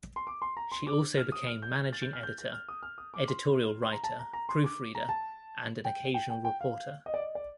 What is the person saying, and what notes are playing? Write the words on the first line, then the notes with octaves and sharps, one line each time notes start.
She also became managing editor, editorial writer, proof reader and an occasional reporter.
C6
D6
C6
A#5
C6
D6
F6
D#6
F6
G6
A6
G6
F6
G6
G6
F6
D#6
F6
D#6
D6
C6
C6
A#5
A5
A#5
A#5
C6
D6
A#5
A5
G5
G5
G5
G5
F5
D#5
D5
D#5
D5